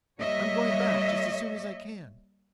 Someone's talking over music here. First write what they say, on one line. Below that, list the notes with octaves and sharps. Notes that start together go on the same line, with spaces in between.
I'm going back just as soon as I can.
G3 A#3 C#5 D#5 E5